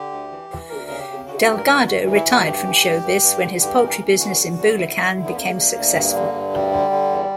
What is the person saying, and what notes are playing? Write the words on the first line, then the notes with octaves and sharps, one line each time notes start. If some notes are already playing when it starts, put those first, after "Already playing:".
Delgado retired from showbiz when his poultry business in Bulacan became successful.
Already playing: D3 G4
D2
E3
E3
D2 A#4
C#3 A#4
G4
C#3
D3 F#4
E4
F#4
G2 G4
A#4
G2
D2 F#4
E3
E4
D2
F#4
G2 G4
E3
G2
G2
G2
D3
G2 G4
E3 A#4
G4
A#4
E3
D3 F#4
E2
D3
D2 E4
D3
D3
B3
D2 A#3
D2
D2
G2
D3
G2
D2 G3
D3
D3
E2